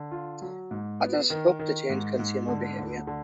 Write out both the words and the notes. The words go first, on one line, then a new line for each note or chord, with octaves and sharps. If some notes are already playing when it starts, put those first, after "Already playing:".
Others hope to change consumer behavior.
Already playing: D3
F4
F#3
G#2
B3
D#3
D#3
G#2
G#2
D3
D2
D3